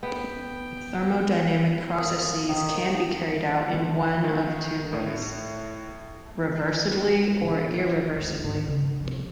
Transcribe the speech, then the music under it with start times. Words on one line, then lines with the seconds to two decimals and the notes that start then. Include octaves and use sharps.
Thermodynamic processes can be carried out in one of two ways: reversibly or irreversibly.
0.03 B3 G5
1.95 A#3 D#6
2.49 D#3 D#6
4.24 D#3
4.93 A2
7.41 A#1 D3
8.16 D2 G#3
8.43 G#2 D#3
8.68 C#3
9.01 C3 F3